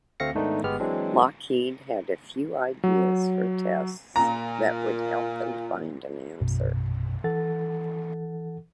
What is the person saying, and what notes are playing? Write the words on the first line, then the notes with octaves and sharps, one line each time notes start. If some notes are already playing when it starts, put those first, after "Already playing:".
Lockheed had a few ideas for tests that would help them find an answer.
D2 A3 C4 F5 A#6 C#7
G#2 D#3 A3 B3 D4 D#4
G1 G#3 B3 G4 F6
E3 F#3 G#3 C4 D4
F#3
A#2 A#5
A#1 F#2 B2
E3 A4 F#5 A6